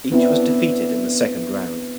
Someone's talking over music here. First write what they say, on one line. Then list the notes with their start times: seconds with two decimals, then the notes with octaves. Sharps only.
Each was defeated in the second round.
0.12 B3 C4 D4 E4